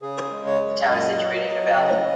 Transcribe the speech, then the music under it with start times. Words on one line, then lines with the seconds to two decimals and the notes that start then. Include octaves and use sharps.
The town is situated in a valley.
0.02 C#3 G#4
0.31 G#3
0.46 C#5
0.61 F#2
0.89 A#2 D#5
1.20 F#3
1.49 F#3
1.78 C#3